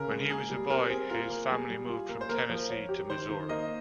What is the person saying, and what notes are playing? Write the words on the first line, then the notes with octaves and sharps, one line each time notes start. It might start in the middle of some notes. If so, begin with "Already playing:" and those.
When he was a boy, his family moved from Tennessee to Missouri.
Already playing: C#3 A#4
G#3
A#3 G#4
G3
C4 A#4
C4 G#4
F4 A#4
A#3
G3 G#4
G3
F4
A#3
C5
A#3 A#4
F3
C#5
G4
D#3 C5
D#3
A#3 D#5